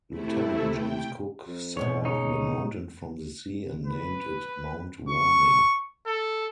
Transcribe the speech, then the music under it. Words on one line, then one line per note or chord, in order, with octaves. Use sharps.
Lieutenant James Cook saw the mountain from the sea and named it Mount Warning.
C3 A3 E4
G5
F2
D#2 G#2 B2 C#5
C#3 D#4 C#5
B4
C#6
A4